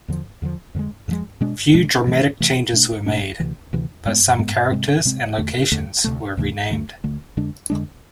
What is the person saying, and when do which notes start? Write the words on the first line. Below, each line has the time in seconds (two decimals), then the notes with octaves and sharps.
Few dramatic changes were made, but some characters and locations were renamed.
0.08 E2 D3 F3
0.42 E2 D3 F3
0.75 F2 D3 F3 G#3
1.08 F2 D3 F3 G#3
1.41 B2 G#3 D4
1.74 B2 G#3 D4
2.07 C3 E3 A3
2.40 C3 E3 A3
2.73 B2 A3 D4
3.06 B2 A3 D4
3.40 D2 C3 E3
3.73 D2 C3 E3
4.06 G#2 G#3 B3
4.39 G#2 G#3 B3
4.72 C3 G#3 C4
5.05 C3 G#3 C4
5.38 E2 D3 A3
5.72 E2 D3 A3
6.04 D2 C3 E3 A3
6.37 D2 C3 E3 A3
6.70 D2 D3 A3
7.04 D2 D3 A3
7.37 F2 D3 G#3 D4
7.70 F2 D3 G#3 D4